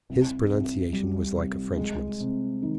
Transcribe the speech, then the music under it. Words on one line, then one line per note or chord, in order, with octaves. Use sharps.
His pronunciation was like a Frenchman's.
C2
C2
G3
C3
G#3
C3
D#3